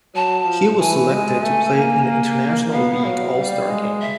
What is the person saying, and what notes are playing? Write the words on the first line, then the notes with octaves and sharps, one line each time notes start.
He was selected to play in the International League All-Star game.
F#3 A5
F3
E3 G#5
G#3
A3
A#3
B3 F5
F#3
G3
G#3
E5